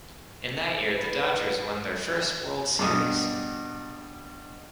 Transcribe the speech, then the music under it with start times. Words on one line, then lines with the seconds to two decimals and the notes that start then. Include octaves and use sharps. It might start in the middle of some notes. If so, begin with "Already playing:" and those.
In that year, the Dodgers won their first World Series.
0.95 B4
2.79 G2 B2 D6 D#6